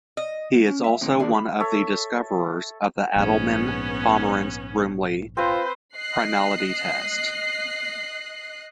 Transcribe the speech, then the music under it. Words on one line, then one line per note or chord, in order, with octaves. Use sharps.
He is also one of the discoverers of the Adleman-Pomerance-Rumely primality test.
D#5
C#4
E5
A2 D3 C4 G5
D#2 D4 G#4 D5
B5
A4 C#5 E5
A#1 G#2 B3 C#4
C4 F4 B4 C5
D#5 F#6 C7